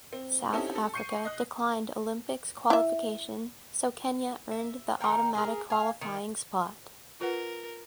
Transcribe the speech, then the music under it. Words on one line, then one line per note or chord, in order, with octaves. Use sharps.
South Africa declined Olympics qualification so Kenya earned the automatic qualifying spot.
C4
C4 C#4 D#4 E4 G4 A4
A4
C#6 G6 C7 C#7 D#7
D#5 F#6
E4 E5
E5
D#3 D#4 A#4 G5
G#4 A#4
F5 G#5
D#3
F4 A#4 B4 F#5